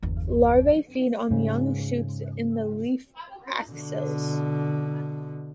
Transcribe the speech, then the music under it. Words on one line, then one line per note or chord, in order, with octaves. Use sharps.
Larvae feed on young shoots in the leaf axils.
G1 E2
G#2 C#3
B2 D3